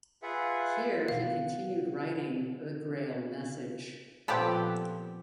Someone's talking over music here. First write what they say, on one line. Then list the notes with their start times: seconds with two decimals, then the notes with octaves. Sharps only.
Here he continued writing "The Grail Message".
0.23 F4 G#4 B4 E5 F#5
1.08 B2 F5 F#5
4.28 A#2 F3 B3 C4 G4 A4 B4 G5